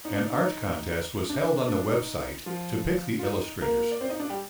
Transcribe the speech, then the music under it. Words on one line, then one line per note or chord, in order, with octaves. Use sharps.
An art contest was held on the website to pick the illustrators.
D#4
D4
D#4
D4
D#4
D4
D4
D#4
F3 F4
F4
D#4
A#3 A#4
D5
C4 C5
D#4 D#5
D4 D5
G3 G4